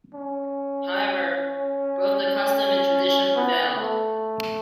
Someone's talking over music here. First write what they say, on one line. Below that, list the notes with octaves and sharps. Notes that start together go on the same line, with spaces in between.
However, both the custom and tradition prevailed.
C#4
B3
A3